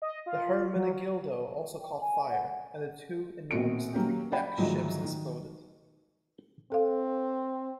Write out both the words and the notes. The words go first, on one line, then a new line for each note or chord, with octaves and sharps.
The "Hermenegildo" also caught fire and the two enormous three-deck ships exploded.
D#5
F4
F#3
G5
G#5
F#5
A#1 B2 C4 F#4 C#7 D7
F#3 A#3 C#4 G4
D5 F#5 G5 B5
D2 G#2 D#3 F3 F#3
D#3
C4 A4 F5